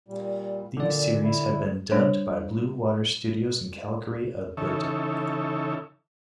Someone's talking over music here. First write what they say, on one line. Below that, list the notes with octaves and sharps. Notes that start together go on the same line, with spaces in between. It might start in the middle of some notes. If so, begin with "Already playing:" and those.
These series have been dubbed by Blue Water Studios in Calgary, Alberta.
A#2 G3
A#2 D3 D5
E4
G3 D4 C5 C#5
C#3 E3 D#4 A4 C#5 E5